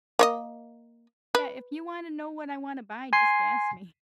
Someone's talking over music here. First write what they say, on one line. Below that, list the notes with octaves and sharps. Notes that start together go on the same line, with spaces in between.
Yeah, if you wanna know what I wanna buy, just ask me.
A#3 C#5 D#5
B4
G#5 C6 C7